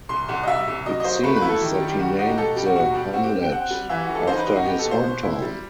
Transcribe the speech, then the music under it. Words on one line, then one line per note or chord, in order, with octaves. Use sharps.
It seems that he named the hamlet after his home town.
C2 C6
C2 F#5
D#5
G3 E5
C2
F#3 D#5
D#5
F#3 C5
A3 B4
B4
E4
A4
D#3 G4
G4
G3
G4
G3 F#4
G4
D#4 F#4
G4
B2 A4
G3 G4
F#4
B2 F#4
G3 G4
C4 F#4
G4
C4
G5
C4 F#5
G3
E3 E5
F#4
G3
A4
D#4 C5
B4
D#4 G4
F#4
B3 G4
A4
B2
C5
B2
E4
G3